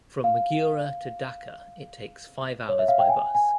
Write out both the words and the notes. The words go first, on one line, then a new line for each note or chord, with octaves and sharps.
From Magura to Dhaka it takes five hours by bus.
F5
C#5
E5
F5
G5
G#5
G#5